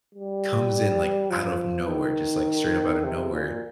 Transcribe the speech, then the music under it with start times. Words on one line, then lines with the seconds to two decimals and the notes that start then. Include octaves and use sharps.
comes in, like, out of nowhere, just, like, straight up out of nowhere,
0.14 G3
1.30 F3
1.88 D#3
3.04 C3
3.32 A#2